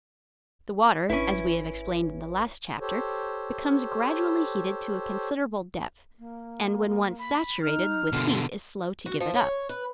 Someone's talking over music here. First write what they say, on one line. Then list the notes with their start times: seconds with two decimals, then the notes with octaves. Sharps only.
The water, as we have explained in the last chapter, becomes gradually heated to a considerable depth, and when once saturated with heat is slow to give it up.
1.09 G#1 C#4 E4 B4
2.80 G4 A4 C5 C#5
6.19 A#3
7.19 B5
7.62 D#4 F6
8.13 B2 D3 F4
9.06 F#4
9.20 F3
9.35 C#5
9.69 B4